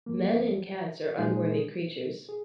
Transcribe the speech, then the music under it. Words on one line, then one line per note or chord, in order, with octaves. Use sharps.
Men and cats are unworthy creatures.
G2 F3 A#3
A#2 G#3 D#4 G#4
G#4